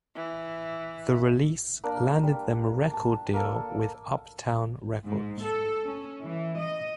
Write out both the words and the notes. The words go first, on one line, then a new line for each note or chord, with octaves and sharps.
The release landed them a record deal with Uptown Records.
E3
A#3 D4 A#4
G3
A5
A#3 A4
G#2
A4
C#4
E3
D#5